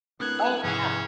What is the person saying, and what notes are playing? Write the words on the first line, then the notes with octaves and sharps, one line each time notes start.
Oh, yeah.
A2 A3 B3 C4 D4 A#4 F#6 G#6
G#2 C3 E3 F3 C#4 G#4